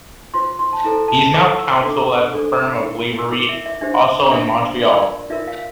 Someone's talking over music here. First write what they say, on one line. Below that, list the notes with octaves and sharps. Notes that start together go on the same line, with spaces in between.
He is now Counsel at the firm of Lavery, also in Montreal.
F4 C5 C6
C6
A5
E4 A4 C5 A#5
A5
E4 A4 C5 D6
E6
D4 A4 C5 D6
D4 A4 C5
E4 A#4
E6
E4 A#4 D6
E5
E5
D4 G4 C5 E5
D4 G4 C5 E5
F4 A#4 D5
F4 A#4 E5
F5